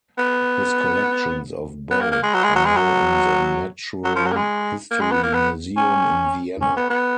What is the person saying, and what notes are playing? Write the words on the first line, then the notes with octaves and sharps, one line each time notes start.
His collections of both are now in the Natural History Museum in Vienna.
B3
B3
A#3
A#3
G#3
F#3
G#3
F#3
G#3
F#3
F#3
F3
F#3
A#3
G#3
A#3
G#3
B3
A#3
B3
C#4
C#4
B3
B3